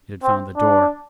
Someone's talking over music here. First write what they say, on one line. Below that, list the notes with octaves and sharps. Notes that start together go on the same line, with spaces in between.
It had found the door!
C4
D4